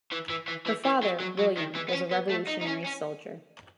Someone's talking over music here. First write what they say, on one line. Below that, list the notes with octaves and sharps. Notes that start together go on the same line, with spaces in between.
Her father, William, was a Revolutionary Soldier.
E3
E3
E3
E3
E3
F#3
F#3
F#3
D#3
E3
B3
C#4
B3
A3
D#4
D#4
C#4
C#4